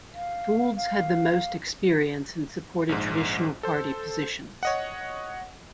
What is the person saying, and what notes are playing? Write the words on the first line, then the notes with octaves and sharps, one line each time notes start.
Foulds had the most experience and supported traditional party positions.
F5
F5
A#1 G#2
A4 C5
C#5 D#5 F#5